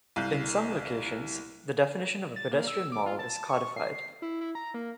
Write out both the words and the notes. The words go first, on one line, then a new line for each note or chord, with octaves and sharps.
In some locations, the definition of a pedestrian mall is codified.
C2 F5 F#6 G6
A6
A#3
E6
D6
F4
A5
C#6
C7
E4
E4
A#5
A#3